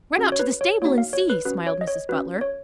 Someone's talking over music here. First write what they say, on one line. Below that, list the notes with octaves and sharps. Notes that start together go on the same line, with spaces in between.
"Run out to the stable and see," smiled Mrs. Butler.
C#4 F#4
C#5
B4
C#5
A#3 D#4 F#4 C#5
F5
C#5
B4
C#4 F#4 B4
C#5
D#5
C#5
C#4 F#4 B4
C#5